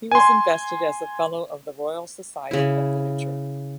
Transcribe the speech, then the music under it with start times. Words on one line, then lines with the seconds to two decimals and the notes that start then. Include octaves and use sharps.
He was invested as a Fellow of the Royal Society of Literature.
0.11 G#5 C6
2.51 C#3 E4